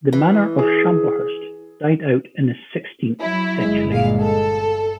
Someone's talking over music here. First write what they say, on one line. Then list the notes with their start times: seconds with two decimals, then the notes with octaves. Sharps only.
The Manor of Shamblehurst died out in the sixteenth century.
0.13 E3
0.59 G#4
3.22 F#3 E4
3.60 G1 G#3 E4
3.91 A#2 F5
4.20 A4